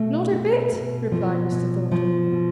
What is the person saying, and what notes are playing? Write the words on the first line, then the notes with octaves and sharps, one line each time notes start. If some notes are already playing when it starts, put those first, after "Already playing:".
'Not a bit,' replied Mr. Thornton.
Already playing: B2 A3
B2
B2
B2 F3
B2
B2 F3
B2